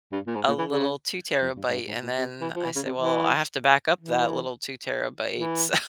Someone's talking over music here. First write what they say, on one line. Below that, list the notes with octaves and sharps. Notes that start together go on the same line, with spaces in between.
a little two-terabyte," and then I say, "Well, I have to back up that little two-terabyte, so
G2
A#2
G#2
A#2
E3
C#3
F2
G2
G#2
G2
G#2
A#2
C3
E3
F3
E3
C#3
C3
E3
E3
E3